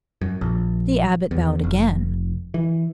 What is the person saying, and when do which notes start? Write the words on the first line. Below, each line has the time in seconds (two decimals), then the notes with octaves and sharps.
The Abbot bowed again.
0.21 F#2
0.41 A#1
1.31 E2
1.64 F1
2.54 E3